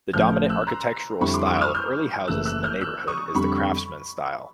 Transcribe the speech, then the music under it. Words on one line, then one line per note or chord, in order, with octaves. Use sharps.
The dominant architectural style of early houses in the neighborhood is the Craftsman style.
A1 A2 F3 F6 G6
E6 F#6
A#5 C6
F2 D3 G3 C4 E4 B5 C#6
C6 D6
C#6 D#6
E6
D#6 F6
F6 G6
F#1 F#2 C#3 E3 A3 E6 F#6
E6 F#6
F6 G6
E6 F#6
C#6 D#6
F2 D3 G3 B5 C#6